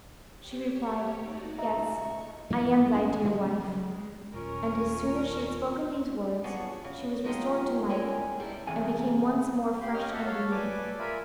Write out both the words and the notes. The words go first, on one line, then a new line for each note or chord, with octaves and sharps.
She replied, "Yes, I am thy dear wife;" and as soon as she had spoken these words she was restored to life, and became once more fresh and blooming.
G4 C#5
D#4 F#4 D5
A#2 C#3 D#5 E5 A#5
C#6
G2 E3 F3 B3
A1 C#4
C#3 F3 F#3
F#3
G#3
D#1 C#4 F4 A#4
F#3 B3 D4 F4 F#4 G#4
C#3
F3 F#3 G#3 D#4 F4 G4
E3 G#3 C#4 G4 G#4 A#4
G3 D4 E4
E2 C3 E3 G#4 A4 G#5
G4 B5 C6
C#4 G4 D#5 F6
F#4 A4 E5 F#5
A4 C#5 F5
A4 B4 D5 G#5 D6
F4 A#4 E5 G#5 B5